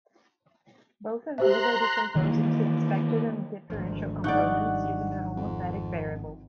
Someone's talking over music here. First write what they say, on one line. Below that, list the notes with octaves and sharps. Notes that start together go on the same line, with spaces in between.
Both of these are decomposed into expected and differential components using the homothetic variable.
G4 C5 E5 A#5 C6 F#6
D#3 E3 A#3
G#1 D2 F3
G2 D#4 D5 F#5 C#6 F#6
F2